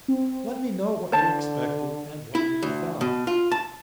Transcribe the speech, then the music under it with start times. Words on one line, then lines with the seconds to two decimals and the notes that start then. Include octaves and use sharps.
Let me know what you expected, and what you have found.
0.08 C4
1.12 D3 C5 A5
2.35 E4
2.62 D2
3.01 B2
3.27 F4
3.52 A5